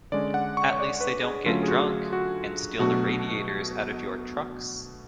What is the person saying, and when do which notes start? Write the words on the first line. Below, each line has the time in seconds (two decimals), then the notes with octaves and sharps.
At least they don't get drunk and steal the radiators out of your trucks.
0.12 D3 G#3 C#4 D5
0.34 F#5
0.57 C#6
0.71 C#5
0.79 D5
1.01 B4
1.23 G#4
1.46 D3 F#3 A3 C#4 F4
1.63 G#4
1.68 F#4
2.13 F#4
2.79 B2 F#3 A3 D4 F#4